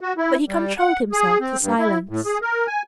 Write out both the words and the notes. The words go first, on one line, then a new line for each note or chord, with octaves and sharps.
But he controlled himself to silence.
F#4
E4
G3
F#5
G#4
C4
G2
E4
A2
G#4
A#4
G#5